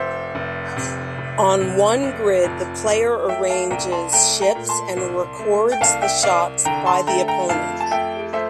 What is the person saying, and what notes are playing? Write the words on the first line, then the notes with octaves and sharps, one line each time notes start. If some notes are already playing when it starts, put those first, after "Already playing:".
On one grid the player arranges ships and records the shots by the opponent.
Already playing: F1 C5 E5
F1
C3
F1
C3
F1
F2
F2
A3 E5 G5
F5 A5
C2 G5 A#5
A5 C6
A3 G5 A#5
G5 A#5
A#2
A5 C6
C2
A3
G5
C2 F5 A5
E5 G5
C2 D5 F5
D3 G5 A#5
A5 C6
A3 G5 A#5
G5 A#5
F2 F5 A5
A5
A3 E5 G5
A3 C5 E5